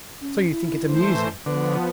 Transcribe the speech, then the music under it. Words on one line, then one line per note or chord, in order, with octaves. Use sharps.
"So you think it amusing?"
C#4
E4
E3 A3 C5
D3 F3 B3 B4